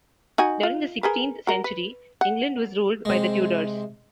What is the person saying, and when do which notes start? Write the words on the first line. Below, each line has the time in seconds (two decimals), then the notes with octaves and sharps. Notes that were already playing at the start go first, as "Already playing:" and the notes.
During the sixteenth century England was ruled by the Tudors.
0.38 D#4 F#4 G#5
0.63 F4
1.03 G#4 A#4 B4
1.47 F#4 A#4
1.64 B4
2.21 F#5
3.05 C3 G#3